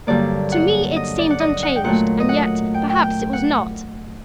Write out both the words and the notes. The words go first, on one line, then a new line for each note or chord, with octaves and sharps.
To me it seemed unchanged--and yet--perhaps it was not.
G2 D3 F#3 A#3 D5
F#5
D#5
D5
F#5
D#5
F#5
G5
A#2 F#3 A3 F#5
D#5
F#5
G5
G5
G5
F#5